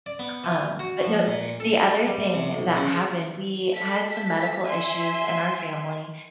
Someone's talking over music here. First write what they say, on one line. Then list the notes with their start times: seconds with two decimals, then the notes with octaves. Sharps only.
Um, but, no, the other thing that happened, we had some medical issues in our family
0.06 D5
0.19 B3
0.44 E3
0.79 F#4
1.03 F3
1.27 A#2
1.60 A4
2.07 G3
2.34 C3
2.54 B1
2.76 C#3
3.73 A4 B6
4.65 E5 G#5 C6